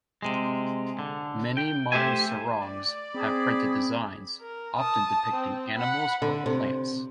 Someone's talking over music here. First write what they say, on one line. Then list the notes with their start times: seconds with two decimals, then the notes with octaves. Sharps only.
Many modern sarongs have printed designs, often depicting animals or plants.
0.22 C3 G#3
0.99 D3
1.57 G5
1.92 A3 G4 C5 E5 G#5
2.62 D5
3.14 C4 G#4 B5
4.41 A#4
4.78 A5 D#6
5.33 C4
5.78 F#5 B5
6.22 D3
6.46 C3